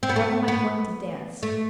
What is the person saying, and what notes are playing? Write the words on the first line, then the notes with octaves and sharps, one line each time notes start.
Tell them I'm going to dance.
C4
B3
A3
B3
A3